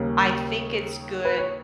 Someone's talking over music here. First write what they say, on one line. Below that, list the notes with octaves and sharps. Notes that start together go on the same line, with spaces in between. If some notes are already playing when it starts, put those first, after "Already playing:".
I think it's good
Already playing: D#2 C#3 G3 A#3 C#4
B4
C#5